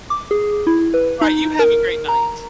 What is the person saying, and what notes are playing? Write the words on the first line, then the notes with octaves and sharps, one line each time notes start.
Alright, you have a great night.
D6
G#4
E4
B4
D#4
A#4
A#5